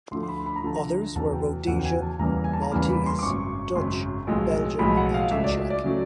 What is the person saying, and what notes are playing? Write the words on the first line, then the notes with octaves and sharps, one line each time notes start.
Others were Rhodesian, Maltese, Dutch, Belgian and Czech.
D2 D3 F3 A3 C6
C6
B5
B5
A#5
D2 D3 F3 A3 A5
A#5
E2 C#3 F#3 A3 A5
G5
E2 C#3 F#3 A3 F#5
G5
G#5
A5
E2 C#3 E3 G3 A#3 A#5
G#5
A5
A#5
E2 C#3 E3 G3 A#3 B5
B5
C6
D6
G#1 F#2 C#3 C#6
G#1 F#2 C#3 C6
B1 A2 F3 G#3
B1 A2 F3 G#3 B5
F#5
F5
C#2 C#3 F#3 A3 E5
D5
E5
D5
C#3 F#3 A3